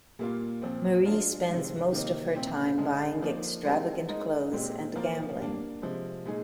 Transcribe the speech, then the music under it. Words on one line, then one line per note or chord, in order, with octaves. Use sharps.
Marie spends most of her time buying extravagant clothes and gambling.
A#2 G3 A#3 F4
A#2 F3 C4
G#3 D4 F4 G#4
C3 D#3 G#3
C3 D#3 A#3 D#4
A#2 G3 C4 D#4 G4
D3 G#3 D4 G#4
F3 A#3 D#4
G#3 C4 G4 A#4
G#3 D#4 A#4
A#2 G#3 C4 G4
F3 A#3 F4 A#4
G3 A#3 D4
C3 F3 G#3
A#2 G#3 D#4 G#4